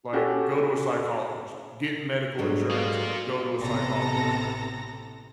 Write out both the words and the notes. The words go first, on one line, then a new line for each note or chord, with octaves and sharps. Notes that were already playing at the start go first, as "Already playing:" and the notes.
Like, go to a psychologist, get medical insurance, go to a psychologist.
C#4 F#4 G4 A4
G#2 F#3 G3 D4 G#4 A4
A#3 F4
A1 C3 B3 A4 A#5 A#6